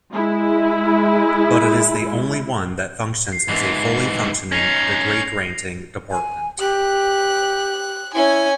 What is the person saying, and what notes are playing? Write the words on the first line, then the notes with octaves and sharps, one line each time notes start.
But it is the only one that functions as a fully functioning, degree-granting department.
G#3 E4
C7
G#2 E3
C#4 D#4 A#6 C7 F7
F7
G#5
G4 F#6
C#4 E4 G#5